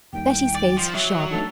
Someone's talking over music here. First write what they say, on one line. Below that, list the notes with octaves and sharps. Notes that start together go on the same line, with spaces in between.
Betty's face shone.
D#2 D#3 G3 G5
D5
F3
F#3 E5
A#5
A3 D4 D#4 A4